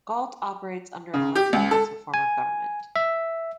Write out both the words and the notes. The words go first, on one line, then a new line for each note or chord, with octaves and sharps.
Galt operates under an elected council form of government.
C#3
G4
C#2
A4
G#5
E5